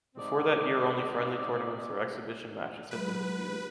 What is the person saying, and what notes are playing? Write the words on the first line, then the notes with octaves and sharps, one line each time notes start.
Before that year only friendly tournaments or exhibition matches had been disputed.
G#2 C3 C4 D5 D#5
F#3 G#3 B4